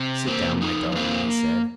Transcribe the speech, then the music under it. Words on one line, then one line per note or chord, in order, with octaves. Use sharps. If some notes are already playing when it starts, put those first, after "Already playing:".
"Sit down, my darling," he said.
Already playing: C3
A#3 C4
F3 D#4
D#4
A#3 C4 F4